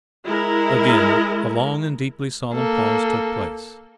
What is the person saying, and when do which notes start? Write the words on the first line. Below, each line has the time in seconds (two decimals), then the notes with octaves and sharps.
Again, a long and deeply solemn pause took place.
0.23 G#3 E4 A#4
2.54 A#3 A4